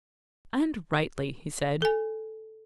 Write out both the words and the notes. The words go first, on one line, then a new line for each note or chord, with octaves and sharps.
"And rightly," he said.
A4 G#5